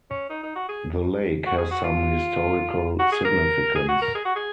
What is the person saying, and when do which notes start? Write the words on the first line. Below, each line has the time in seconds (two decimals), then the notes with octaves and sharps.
The lake has some historical significance.
0.11 C#4
0.30 D#4
0.43 D#4
0.56 F#4
0.69 G#4
1.46 F#4
1.58 G#4
1.71 F#4
1.84 F4
2.99 F#4
3.12 G#4
3.25 A#4
3.76 G#4
3.89 F#4
4.02 A#4
4.15 G#4
4.25 F#4
4.36 G#4